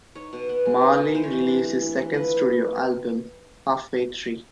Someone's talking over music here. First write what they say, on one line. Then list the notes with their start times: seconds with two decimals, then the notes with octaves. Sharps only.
Marley released his second studio album "Halfway Tree".
0.15 D#4 C#5
0.33 B2
0.49 B3
0.65 G#3
0.81 D#4
0.98 B2
1.14 E3 C5
1.24 C#5
1.31 E3 C5
1.48 D4
1.64 A3
1.81 E3
1.97 E3
2.13 F3 B4